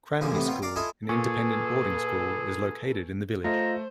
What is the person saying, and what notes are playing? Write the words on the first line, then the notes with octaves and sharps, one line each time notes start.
Cranleigh School, an independent boarding school, is located in the village.
B1 E2 A#2 D3 F3 G#5
A2 C3 E3 B3
A#1 B3 F4 C#5 G5
D5 F5 A#5 D6
E4 F4 A4 D#5 G#5
A#2 G#4 A4 B4 G#5 C#6
A3 F4 C5 D#5 F5 A#5